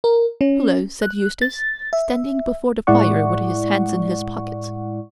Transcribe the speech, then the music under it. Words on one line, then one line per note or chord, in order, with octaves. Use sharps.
"Hullo!" said Eustace, standing before the fire with his hands in his pockets.
A#4
C#4
F#6
A6
E5
A2 G#3 E4 D5 F#5 C#6